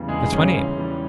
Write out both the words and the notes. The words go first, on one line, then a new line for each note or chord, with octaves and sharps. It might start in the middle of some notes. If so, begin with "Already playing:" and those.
That's my name.
Already playing: E2 C#3 G3
E1 G#3 G#4
E2 C#3 G3 C#4
E2
E3 G3